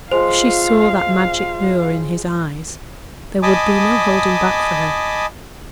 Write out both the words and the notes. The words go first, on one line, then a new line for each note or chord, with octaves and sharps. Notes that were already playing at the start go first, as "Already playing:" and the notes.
If she saw that magic lure in his eyes there would be no holding back for her.
F3 G#3 C5 F5
D#5 G#5 A5 B5 D6 D#6